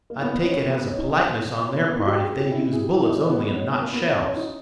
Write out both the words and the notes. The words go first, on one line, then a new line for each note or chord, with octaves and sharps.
"I'd take it as a politeness on their part if they used bullets only and not shells."
A#3
B3
B3
C#4
C#4
B3
B3
C#4
D#4
C#4
B3
A#3
B3
D#4
G4
G#4
G4
E4
E4
G#4
G4
E4
D#4
C#4
B3
D#4
B3
C#4
B3
A#3
B3
C#4
C#4
D#4